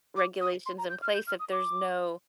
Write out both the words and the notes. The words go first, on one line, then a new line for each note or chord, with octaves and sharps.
regulations in place if there's no,
D6
D#6
C6
A#5
G6
F6
G6
F6
D#6
D6